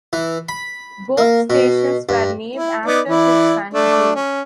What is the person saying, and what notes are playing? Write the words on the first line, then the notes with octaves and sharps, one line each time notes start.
Both stations were named after his son Jim.
E3
B5
A#3
B2
G2
E4
B3 D#4 D5
E3 E4 D5
A3 D4 D5
C#4